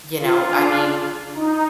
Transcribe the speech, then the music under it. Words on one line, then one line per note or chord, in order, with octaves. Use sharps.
You know, I mean,
F4
D4
D#4